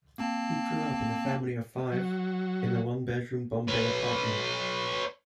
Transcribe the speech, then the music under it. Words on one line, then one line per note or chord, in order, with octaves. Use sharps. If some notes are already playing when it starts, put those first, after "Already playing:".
He grew up in a family of five, in a one bedroom Bombay apartment.
A#3 C4 A5
F#3
B4 C#5